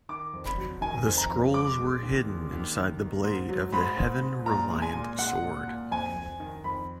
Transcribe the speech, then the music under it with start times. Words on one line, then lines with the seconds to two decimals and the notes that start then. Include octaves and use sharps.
The scrolls were hidden inside the blade of the Heaven Reliant Sword.
0.09 D#3 D6
0.33 F2
0.46 B5
0.58 F#3
0.81 D#3 G#5
1.07 F2
1.18 A#5
1.31 F2
1.54 G#3 D6
1.79 G#3
2.03 D#2
2.27 G#3
2.52 D#2
2.75 D#2
3.00 D#3
3.24 G#2
3.49 F#3
3.72 G#2 B5
3.97 G#2
4.21 G#2
4.46 A#2 A#5
4.70 G#3
4.82 G#5
4.94 A#2
5.19 G#3 F#5
5.43 A#2
5.68 A#2
5.91 F2 G#5
6.16 F2
6.40 D#3
6.64 F2 B5